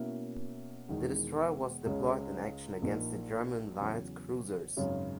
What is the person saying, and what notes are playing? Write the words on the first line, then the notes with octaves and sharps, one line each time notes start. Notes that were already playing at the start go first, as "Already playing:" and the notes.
The destroyer was deployed in action against the German light cruisers.
Already playing: B2 A#3 C#4 E4
E1 E2 D#3 G#3
C#2 C#3 G#3
A#1 A#2 A#3 D#4
E2 C#3 F#3 C#4
G#1 F#2 C#3 G#3